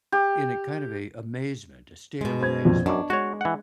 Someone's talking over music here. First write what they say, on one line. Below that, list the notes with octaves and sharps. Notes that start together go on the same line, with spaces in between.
in a kind of a amazement, a state of amazement,
G4
B2 G#3
C5 G#6
A#1 F2
F#2 D4 D#5 C#6 D6
G#3 F#4 C#5
E3 F#5